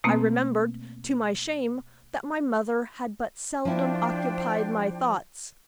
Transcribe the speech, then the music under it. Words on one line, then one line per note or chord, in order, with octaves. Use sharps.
I remembered, to my shame, that my mother had but seldom occupied my thoughts.
B2 A3 A#3 C4
F3 D4 E4 C5 G5